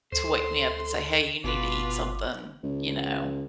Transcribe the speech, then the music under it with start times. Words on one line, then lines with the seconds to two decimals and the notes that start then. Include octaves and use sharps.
to wake me up and say, "Hey, you need to eat something," you know.
0.12 D2 A4 C5 C6
1.44 G1 B2 F4 B4 D6
2.64 C#2